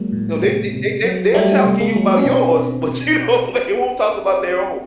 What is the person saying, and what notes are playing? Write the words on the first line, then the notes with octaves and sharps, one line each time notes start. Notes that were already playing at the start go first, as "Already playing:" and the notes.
No, they they they they've they'll talk to you about yours, but you don't they won't talk about their own.
Already playing: F#3 G#3 A#3
A2
C3
C3
F#3
F#3 G3 A3
C3
G#3 A#3
F#3
C#4
B2 C4 D4
B2
B2